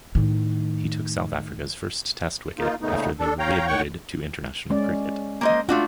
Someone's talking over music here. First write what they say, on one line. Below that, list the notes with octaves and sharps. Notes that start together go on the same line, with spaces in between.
He took South Africa's first Test wicket after they were re-admitted to international cricket.
A2 D#3
A#3 D#4 F4
A#2 C#3 A3 B3 D#4
D4 A4
C#5 F5 G5 A#5
A2 D#3 C#5 F#5 G5 C#6
G#3 C#4 D5
A#3 C5 D#5
A3 D4 F4 F#4